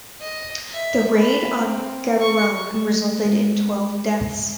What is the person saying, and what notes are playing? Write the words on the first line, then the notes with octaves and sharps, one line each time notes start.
The Raid on Gaborone resulted in twelve deaths.
D#5
E5
B4
C4
C#6
A3
G#3